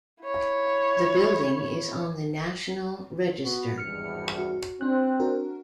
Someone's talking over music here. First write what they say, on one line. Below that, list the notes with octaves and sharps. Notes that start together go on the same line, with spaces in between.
The building is on the National Register.
E4 C#5
B3 F#4
G#1 E2 G2 F6 C#7
F#4
C4 D4 F#6
D4 F#4 A#4